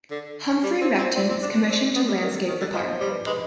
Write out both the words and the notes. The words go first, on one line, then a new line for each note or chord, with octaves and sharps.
Humphry Repton was commissioned to landscape the park.
D3
G3
C4
C4
C4 D5
C4
D4
D4
C4
B3
G3
D#3
D3
D#3
D3
F3 D#5
C5
G3
B4
G#3 B4